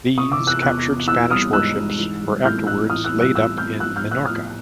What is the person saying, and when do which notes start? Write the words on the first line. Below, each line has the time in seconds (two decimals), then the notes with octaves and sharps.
These captured Spanish warships were afterwards laid up in Minorca.
0.18 C3 C#6 D#6
0.32 D6 E6
0.39 E3
0.47 E6 F#6
0.62 E2 E6 F#6
0.85 E2
1.08 E3 E6 F#6
1.31 G3 D#6 F6
1.53 G#2 E6 F#6
1.76 G#2
1.99 E3
2.22 G3
2.44 A2 F6 G6
2.67 A2 E6 F#6
2.90 E3 D#6 F6
3.05 E6 F#6
3.13 G3
3.21 E6 F#6
3.35 A2 E6 F#6
3.58 A2 F6 G6
3.80 F3 E6 F#6
3.96 F6 G6
4.04 A2
4.11 E6 F#6
4.26 A2 D#6 F6